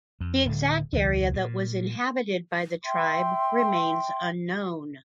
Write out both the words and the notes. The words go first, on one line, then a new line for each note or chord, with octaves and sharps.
The exact area that was inhabited by the tribe remains unknown.
F2
D1 D3
E1 C#2 E3
A#2
E5 G5 C6